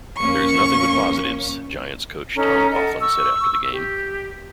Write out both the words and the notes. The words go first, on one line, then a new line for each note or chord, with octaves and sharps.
"There is nothing but positives", Giants coach Tom Coughlin said after the game.
F2 A#3 C#4 C#6
C#4 D#4 A4 A#5
A4 D#5 F#5
C#6 E6
G4